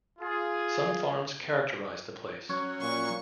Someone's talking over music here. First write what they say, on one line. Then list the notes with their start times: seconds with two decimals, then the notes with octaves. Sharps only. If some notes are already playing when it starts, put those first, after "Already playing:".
Some farms characterize the place.
0.19 F4 G#4
2.49 F#3 C#4 C#5
2.81 A#2 C#6